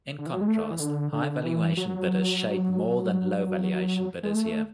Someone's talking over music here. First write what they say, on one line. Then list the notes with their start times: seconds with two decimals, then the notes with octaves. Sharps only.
In contrast, high-valuation bidders shade more than low valuation bidders here.
0.18 D3
0.26 E3
0.33 F#3
0.41 G#3
0.48 A3
0.71 E3
0.80 D3
1.12 D3
1.44 E3
1.77 F#3
4.23 G#3
4.34 A3